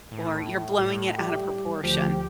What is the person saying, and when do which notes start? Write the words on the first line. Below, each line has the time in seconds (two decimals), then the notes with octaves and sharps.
or, "You're blowing it out of proportion."
0.11 A2
0.79 A2
1.18 G3 G4
1.84 D2 F3 G4